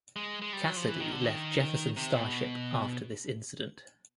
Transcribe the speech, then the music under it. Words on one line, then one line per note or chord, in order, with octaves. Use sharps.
Casady left Jefferson Starship after this incident.
G#3
G#3
G3
F#3
F3
E3
D#3
D3
D#3
C3
B2